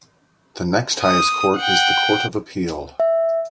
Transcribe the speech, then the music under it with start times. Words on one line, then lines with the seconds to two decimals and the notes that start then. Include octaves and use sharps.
The next highest Court is the Court of Appeal.
1.02 D#6
1.57 F#5 G5
3.00 E5